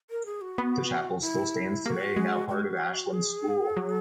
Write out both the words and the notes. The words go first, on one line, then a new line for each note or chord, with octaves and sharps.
The chapel still stands today, now part of Ashlyns School.
A#4
G#4
F#4
B3
E4
A#3 F#4 G#4
G#3
F#4
G#4
F#3